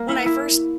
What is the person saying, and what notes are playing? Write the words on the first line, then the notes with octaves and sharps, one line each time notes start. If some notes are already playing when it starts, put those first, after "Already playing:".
when I first
Already playing: A#3
E4
E4